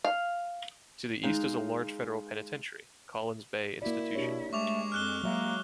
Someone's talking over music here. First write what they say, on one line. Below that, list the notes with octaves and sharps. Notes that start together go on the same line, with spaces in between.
To the east is a large federal penitentiary, Collins Bay Institution.
F5
G#3 D#4 F5
A#3 E4 F#4 D5
B2 D4 G4 C#5
G#3 A3 C#6 D6 F7
F2 F6 F#6 G7
F#3 G#3 A#3 F#4 E5